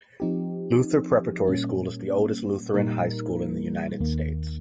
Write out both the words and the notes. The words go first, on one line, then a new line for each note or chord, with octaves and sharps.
Luther Preparatory School is the oldest Lutheran high school in the United States.
F3 C4 D#4 G4
A#2 G3 A#3 C#4
A#2 G3 A#3 D#4 A#4
D#2 D#3 A#3